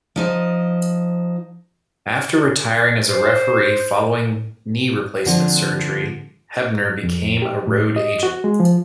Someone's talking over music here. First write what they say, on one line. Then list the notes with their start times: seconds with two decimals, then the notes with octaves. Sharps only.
After retiring as a referee following knee replacement surgery, Hebner became a road agent.
0.16 F3 D#4 C5
3.09 C5
5.26 D3 F3 C4
7.03 F2
7.42 G4
7.67 A2
7.96 D#5
8.23 F#4
8.44 G#3
8.60 F3